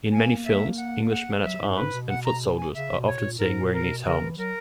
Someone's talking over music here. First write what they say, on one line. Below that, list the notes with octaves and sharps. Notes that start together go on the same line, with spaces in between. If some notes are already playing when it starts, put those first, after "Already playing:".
In many films, English men-at-arms and foot soldiers are often seen wearing these helms.
A#3 G#5
E5
F#5
F#5
F#3 E5
G#2
G#2 B4
B2
F#5
A#5
G#5
C#3 E5
B2
C#5
A#2
G#2 A#4
A#2
A#4
B2
C#3 A#4
E3
F#3 A#4